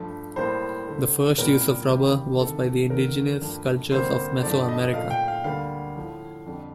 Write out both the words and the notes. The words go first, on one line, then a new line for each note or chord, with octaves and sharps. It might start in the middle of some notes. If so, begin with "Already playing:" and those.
The first use of rubber was by the indigenous cultures of Mesoamerica.
Already playing: G2 F3 A3
A2 G3 A#3 C5
D2 D3 A3
C2 A#2 G3 A#3 A#4
D#2 D#3 G3 G4
D2 C3 D#3 A4
D#2 D3 A3 A#4
G2 F3 A3
D2 C3 G3 A#3 C5
G2 F3 A3 D5
D#5
A#2 A3 F5
G5
F5
D2 D3 G3 A#3 F5
A2 F3 A3
F2 D3 G3